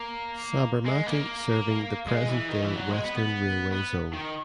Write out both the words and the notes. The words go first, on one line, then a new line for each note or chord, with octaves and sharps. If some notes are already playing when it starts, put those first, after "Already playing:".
Sabarmati serving the present day Western Railway zone.
Already playing: A#3
G#3
A#3
G#3
E3
D#3
E3
F#3
G#3
B3
B3
B3
D#3